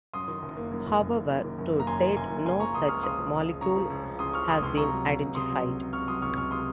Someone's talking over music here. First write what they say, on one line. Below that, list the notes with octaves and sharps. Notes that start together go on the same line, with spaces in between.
However, to date no such molecule has been identified.
F#2 C6 D#6
D#3
F#1
A#3
F#2
D#3
F#1
A#3
F#2
D#3
F#1
A#3
A#5
F#2 G#5 C6
D#3
F#1 G#5 C6
A#3
C#3 G#5 C6
F3 A#5 C#6
C#2 C6 D#6
C#2 C#6 F6
C#3 C6 D#6
F3
C#2
C#2
C#3 A#5 C#6
F3
C#2
C#2
C#3 C6 D#6
F3 C#6 F6
C#2 C6 D#6
C#2 C6 D#6
C3 A#5 C#6
F#3
C#2
C#2
C3 C6 D#6
F#3
C#2
C#2
C3 C#6 F6
F#3 C6 D#6
C#2 C#6 F6
C#2 C#6 F6
C3 C6 D#6